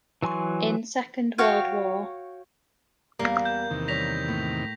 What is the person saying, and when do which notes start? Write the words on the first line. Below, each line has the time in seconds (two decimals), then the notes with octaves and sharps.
In Second World War.
0.22 E3 F#3 G#5 C6 C#6
1.38 F#4 C#5 F5 G5
3.19 E2 G3 A#3
3.45 G6
3.70 E2 C3 D#3
3.88 G3 C#5 A#6 B6 F7
4.28 A2